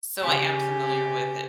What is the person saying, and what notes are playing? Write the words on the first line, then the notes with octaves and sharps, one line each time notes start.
So I am familiar with it
C#3 G4 G#5